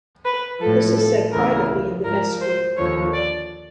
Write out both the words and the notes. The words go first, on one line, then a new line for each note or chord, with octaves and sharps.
This is said privately in the vestry.
B4
A2 F3 A4
A4
D2 C#3 E3 A#4
G#2 F3 A#4
C5
D#2 D3 F3 C#5
D5